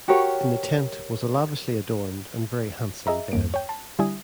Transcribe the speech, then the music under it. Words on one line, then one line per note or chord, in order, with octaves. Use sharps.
In the tent was a lavishly-adorned and very handsome bed.
F#4 G4 A#4 C#5
G#4 D#5 E5 A#5
E2 G2 A#3 D7
C#5 G5
A5 C6
D3 G3 E4 G#5 D#6